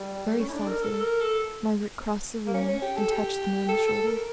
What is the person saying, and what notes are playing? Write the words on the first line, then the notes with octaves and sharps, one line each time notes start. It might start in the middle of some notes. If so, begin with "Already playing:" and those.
Very softly Margaret crossed the room and touched the man's shoulder.
Already playing: G3
A3
C#4
E4
D4
A#4
A4
A#4
A4
A#3
C#4
C#4
G4
A4
G4
A4
A4
A#4